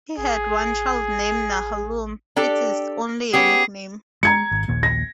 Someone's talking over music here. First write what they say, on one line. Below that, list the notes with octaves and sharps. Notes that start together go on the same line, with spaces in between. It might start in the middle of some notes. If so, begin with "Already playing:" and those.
He had one child named "Nahalum", it is only a nickname.
A1 G#4
D4 G4 A4
B3 C#4 G4 G#4
G#3 A#5 G#6 C#7
G#1
A#1 D#2 A#2
A#6